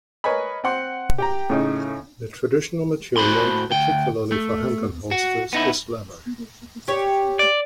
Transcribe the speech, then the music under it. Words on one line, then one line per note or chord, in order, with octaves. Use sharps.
The traditional material, particularly for handgun holsters, is leather.
A#4 B4 C#5 D#5 G#5 B5
C4 F#5 C6
G4 G5 A#5
A2 C#3 D#4
A2 F#4 C5 B5 C6
D2 G5
A3
F#4
B3 D#4 E4
G4 C#5
D5